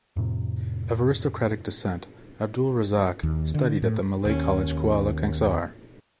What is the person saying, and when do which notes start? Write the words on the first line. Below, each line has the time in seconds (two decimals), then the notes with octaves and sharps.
Of aristocratic descent, Abdul Razak studied at the Malay College Kuala Kangsar.
0.16 F2 A2 C3
3.23 D#2
3.55 D3
3.82 A2
4.25 D#2 C#4